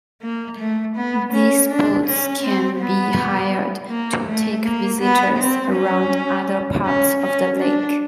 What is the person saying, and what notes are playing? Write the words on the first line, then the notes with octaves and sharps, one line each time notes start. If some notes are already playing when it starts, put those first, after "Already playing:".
These boats can be hired to take visitors around other parts of the lake.
A#3
A3
B3
C#4
D4
C#4
C4
B3
A#3
A3
A#3
B3
C4
C#4
C#4
C#4
D4